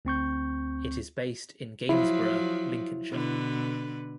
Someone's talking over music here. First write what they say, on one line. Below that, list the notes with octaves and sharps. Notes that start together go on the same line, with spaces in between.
It is based in Gainsborough, Lincolnshire.
D2 C4 C#6 G6
F3 F#3 E4
B2 D3 B4